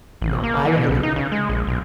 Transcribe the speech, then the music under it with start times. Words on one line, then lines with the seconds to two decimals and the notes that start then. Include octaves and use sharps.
you know, I and i
0.22 A1
0.44 A#3
0.65 E3
0.77 B2
0.89 B1
1.03 D#4
1.16 C#3
1.32 G#3
1.49 A#1
1.67 B1